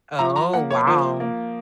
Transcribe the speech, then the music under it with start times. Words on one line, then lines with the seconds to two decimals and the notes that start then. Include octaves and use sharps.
Oh, wow.
0.19 F3 A#5
0.36 A#5
0.53 A#3 F#5
0.70 C#5
0.87 F3 C5
1.20 A#3